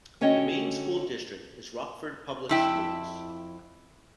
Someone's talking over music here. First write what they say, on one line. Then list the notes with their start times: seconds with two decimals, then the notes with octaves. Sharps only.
The main school district is Rockford Public Schools.
0.21 D3 C#4 F#4 C#5 D#5 G5
2.49 F2 E4 G5